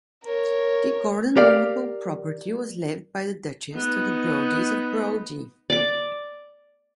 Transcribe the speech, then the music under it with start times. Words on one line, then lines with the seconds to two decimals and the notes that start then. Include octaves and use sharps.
The Gordon "moveable" property was left by the Duchess to the Brodies of Brodie.
0.23 A#4 C#5
1.37 G4 A#4 D5 F5
3.74 B3 D#4
5.70 D5 D6